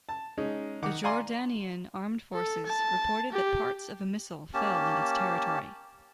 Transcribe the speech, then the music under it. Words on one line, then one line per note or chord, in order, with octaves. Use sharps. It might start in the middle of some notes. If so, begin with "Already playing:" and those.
The Jordanian armed forces reported that parts of a missile fell in its territory.
A5
G#3 C#4 D#4
D#3 F#5 D6
D5 F5 G#5 A#5 C6
A4
A5
G4
A#3 C#4 G4 A5